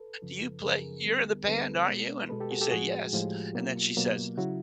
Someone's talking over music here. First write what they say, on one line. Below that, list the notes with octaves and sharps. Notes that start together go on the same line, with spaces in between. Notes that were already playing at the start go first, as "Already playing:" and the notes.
"Do you play you're in the band, aren't you?" And you say, "Yes." And then she says,
Already playing: A4 B4
F#2 C#3 F3
F#2 C#3 F3 G#4 A#4
D2 D3 G3 B3
D2 D3 G3 B3 A4 B4
B2 G#3 B3
B2 G#3 B3 A4 B4
G4 A4
F#4 G#4
G4 A4
A2 F3 G#3 F#4 G#4
A2 F3 G#3 F4 G4
B2 F#3 A#3
B2 F#3 A#3
C#3 F#3 E4 F#4